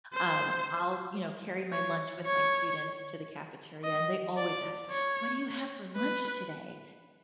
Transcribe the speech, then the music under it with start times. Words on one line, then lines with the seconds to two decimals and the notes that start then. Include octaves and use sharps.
um, I'll, you know, carry my lunch with my students to the cafeteria, and they always ask, "What do you have for lunch today?"
0.14 C5
1.73 C#5
2.26 C#5
3.84 D#5
4.37 D5
4.90 C#5
5.96 B4